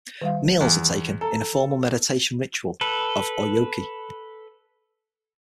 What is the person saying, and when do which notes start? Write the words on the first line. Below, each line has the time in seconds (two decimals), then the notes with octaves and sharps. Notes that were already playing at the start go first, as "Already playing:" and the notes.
Meals are taken in a formal meditation ritual of oryoki.
0.22 D#3 G3 F5
0.61 E2
1.21 A4 A#5
2.81 A4 B4